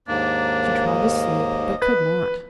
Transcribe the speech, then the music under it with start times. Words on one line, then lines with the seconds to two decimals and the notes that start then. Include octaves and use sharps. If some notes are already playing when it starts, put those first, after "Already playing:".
She tried to sleep, but could not.
0.08 D#2 G#2 A#3 D4
0.87 D#5
1.82 B4